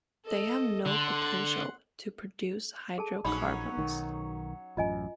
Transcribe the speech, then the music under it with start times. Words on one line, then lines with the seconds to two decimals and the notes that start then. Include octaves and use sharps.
They have no potential to produce hydrocarbons.
0.25 A4 D#5
0.86 D3 F#5 C6
2.98 G#4 A4 A5
3.25 A#1 F#3 C#4 D#4 B5
3.77 B1 D#3
4.77 A1 F#2 F4 D#5 G#5